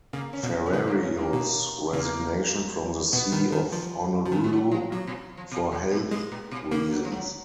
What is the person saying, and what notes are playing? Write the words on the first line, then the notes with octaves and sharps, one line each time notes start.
Ferrario's resignation from the See of Honolulu, for health reasons.
C#3 A#3
C#4
B2
C#4
C#3 B3
A#3
C#4
A#3
B2
C#3 A#3
B2 B3
D#3
D#3
F3
F3
D#3 G#3
G#3
F#3
F3
B2 F#3
B2
F3
B2
B2
B2
B2 G#3
A#2
B2
C#3 A#3
F#3
F3
F#3